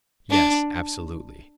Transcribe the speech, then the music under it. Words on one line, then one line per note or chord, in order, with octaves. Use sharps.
"Yes; absolutely."
D4